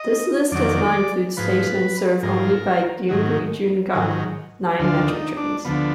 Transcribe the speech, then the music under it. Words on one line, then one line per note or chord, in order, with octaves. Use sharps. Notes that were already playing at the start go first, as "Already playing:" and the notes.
This list does not include stations served only by Gyeongui-Jungang Line metro trains.
Already playing: D#5
F2 D#3 F#3 D5
G#2 F3 B4
G#2 F3 A#4
G#2 D#3 F#3
G#2 D#3 F#3
D2 D3 F3 F4
D#4
D4
D2 D3 F3 B3